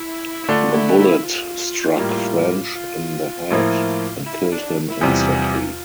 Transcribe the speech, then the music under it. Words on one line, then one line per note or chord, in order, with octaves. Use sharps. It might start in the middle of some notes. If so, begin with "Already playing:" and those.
The bullet struck French in the head and killed him instantly.
Already playing: E4
E4
D3 A3 D4 F4
E4
E4
F4
A2 G3 A#3
F4
A2 F3 A#3 E4
E4
D4
E4
E2 C3 G3 F4